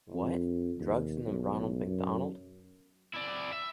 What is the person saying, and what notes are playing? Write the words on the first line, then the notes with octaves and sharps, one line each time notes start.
What? Drugs in the Ronald McDonald?
F2
D#2
B1
F#2
E4 D5
E5